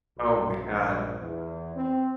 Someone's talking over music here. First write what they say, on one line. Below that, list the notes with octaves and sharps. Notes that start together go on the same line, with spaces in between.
Oh my god.
B1
A#1
E2
C4